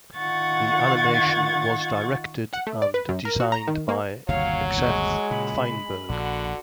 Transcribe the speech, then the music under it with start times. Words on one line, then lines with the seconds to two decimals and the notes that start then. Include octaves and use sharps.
The animation was directed and designed by Xeth Feinberg.
0.17 D#3 F4 F#5 C#6 G#6 A6
2.53 F#5
2.67 A3
2.82 D5
2.94 B4
3.09 F#2
3.25 A#4
3.40 F#4
3.52 A#5
3.68 D#3
3.89 A#3
4.29 G1 D#2 C3 F#3 C#5 F5
4.82 G#3 C#6
5.31 A#2 C#3 B5
6.09 A#1 D3 F#4